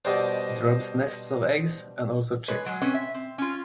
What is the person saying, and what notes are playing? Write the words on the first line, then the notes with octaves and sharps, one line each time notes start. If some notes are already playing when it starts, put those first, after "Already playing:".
It robs nests of eggs and also chicks.
B2 G3 D4 C5 D#5
G#3 B4 C#5
F#3 G#3
C4 C#4 B4 C#5
E5
C4
C#4 F4